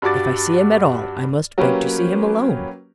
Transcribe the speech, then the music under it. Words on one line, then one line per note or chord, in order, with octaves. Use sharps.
"If I see him at all, I must beg to see him alone."
G2 G3 F#4 D6 A6
F#3 A#3 C#4 G4 A#4 B4